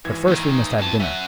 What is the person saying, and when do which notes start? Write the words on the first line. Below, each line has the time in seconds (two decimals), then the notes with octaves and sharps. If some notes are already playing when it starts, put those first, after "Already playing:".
But first we must have dinner.
0.04 G#1 E3 G#6
0.27 D#2 D#3
0.78 F2 A5
1.00 C#4 E5 F#5